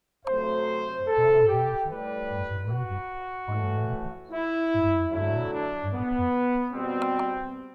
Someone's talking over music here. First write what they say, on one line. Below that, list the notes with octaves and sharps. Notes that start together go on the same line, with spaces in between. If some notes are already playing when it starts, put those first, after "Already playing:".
Bonaventure was raided by Americans during the War of Independence.
C3 F#3 A3 C5
A4
G4
A2 G3 B4
F#4
A2 E3 A3
E4
D3 F#3 A3 E4
D4
B3
B2 G3 C4